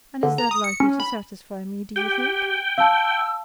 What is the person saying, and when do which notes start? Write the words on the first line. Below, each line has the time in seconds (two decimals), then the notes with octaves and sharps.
"And is that likely to satisfy me, do you think?"
0.23 D3
0.38 A#5
0.51 D#6
0.64 C#7
0.80 C#4
1.00 B5
1.96 G4 G5
2.78 F5 A5 E6